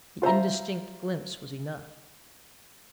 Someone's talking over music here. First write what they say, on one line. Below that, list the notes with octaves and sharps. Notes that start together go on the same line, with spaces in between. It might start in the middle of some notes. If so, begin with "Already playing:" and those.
The indistinct glimpse was enough.
F4 C5 E5 A#5